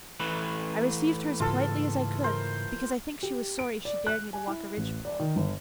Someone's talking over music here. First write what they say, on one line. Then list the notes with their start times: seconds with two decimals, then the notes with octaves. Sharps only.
I received her as politely as I could, because I think she was sorry she dared me to walk a ridgepole.
0.20 E3 A3 B4
1.40 G#2 C#3 F4 A4
2.24 A#4 C5
3.23 G4
3.59 D7
3.85 D5
4.07 F#6
4.33 G#5
4.47 E4
4.77 A1
5.05 D5
5.20 D#3
5.36 G1